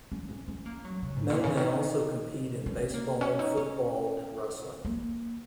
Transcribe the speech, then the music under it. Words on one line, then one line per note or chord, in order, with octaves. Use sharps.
Men may also compete in baseball, football, and wrestling.
C#4
C#4
C#4
A#3
F#3
C#3
G#2
A#2
C#3
D#3
C#4
A#3
C#4
D#4
C#4
A#3